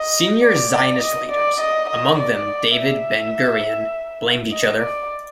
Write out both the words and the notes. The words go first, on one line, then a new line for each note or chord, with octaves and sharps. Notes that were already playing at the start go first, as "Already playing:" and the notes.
Senior Zionist leaders, among them David Ben-Gurion, blamed each other.
Already playing: D#5
D5
D5
D#5
D5
D#5
D#5
D5
E5
D#5
D5